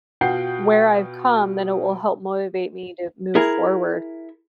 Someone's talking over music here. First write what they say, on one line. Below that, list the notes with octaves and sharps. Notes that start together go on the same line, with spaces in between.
where I've come, then it will help motivate me to move forward.
B2 F4 F#5 G5 G6 C7
E4 G#4 A#4